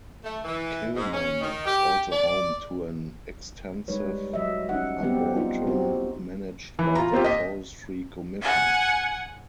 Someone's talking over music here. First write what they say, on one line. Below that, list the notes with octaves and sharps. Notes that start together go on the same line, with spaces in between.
Kilmun is also home to an extensive arboretum managed by the Forestry Commission.
A3
E3
G#2
C#4
D#3
G4
D5
G3 G#3 D#4 B4 C#5
F#3 D#5 E5
C#4 D#4 F#5
F#3 G3 B3 C4 G4
D#4 F4
C4 F#4 G4
E3
F4 A#5
A#3 C4 F4 G4
D#5 B6
F#5 G#5